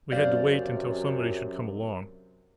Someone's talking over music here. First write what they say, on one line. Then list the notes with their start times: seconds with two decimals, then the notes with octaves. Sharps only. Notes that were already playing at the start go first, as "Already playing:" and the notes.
We had to wait until somebody should come along.
0.11 F#2 C3 C5 D5 F5